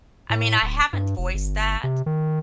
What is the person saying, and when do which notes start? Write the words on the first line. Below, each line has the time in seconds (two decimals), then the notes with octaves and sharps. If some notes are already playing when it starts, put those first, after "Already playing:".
I mean, I haven't voiced that,
0.30 A2
0.62 D1
0.93 G2
1.18 F1
1.34 G1
1.84 C3
2.06 D#3